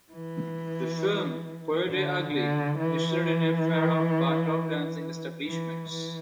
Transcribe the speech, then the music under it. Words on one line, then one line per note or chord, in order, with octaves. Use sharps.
The film "Coyote Ugly" ushered in a fad of bartop dancing establishments.
E3
D3
D3
E3
E3
E3